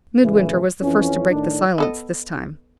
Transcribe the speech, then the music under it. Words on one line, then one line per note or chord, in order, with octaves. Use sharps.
Midwinter was the first to break the silence this time.
D2 A2 C#3 E3
F2 E3 C#4
A2 D#3 D4
B3 A4 D#5